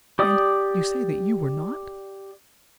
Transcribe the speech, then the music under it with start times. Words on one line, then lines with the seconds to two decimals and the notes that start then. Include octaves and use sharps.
"And--you say that you were not?"
0.19 G4 D5 D#6